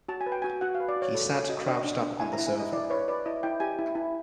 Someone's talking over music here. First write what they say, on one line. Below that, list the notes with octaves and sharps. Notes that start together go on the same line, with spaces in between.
He sat crouched up on the sofa.
F#4 A5
G#5
B4
G5
F#4 G#5
F#4 F#5
F5
B4
D5
F#4
C#5
A4
A4 C#5
F#4 D#5
D4 D#5
D4
D4
E4 G#5
A#5
E4
G#5
E4 D#5
E4 D5
B4 C#5
B4 D5
E4 D#5
E4 G5
G4 G#5
E4
E4